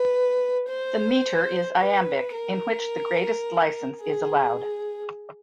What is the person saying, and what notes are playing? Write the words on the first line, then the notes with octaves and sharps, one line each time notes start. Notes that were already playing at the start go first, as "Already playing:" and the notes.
The metre is iambic, in which the greatest licence is allowed.
Already playing: B4
C5
B4
A#4
G#4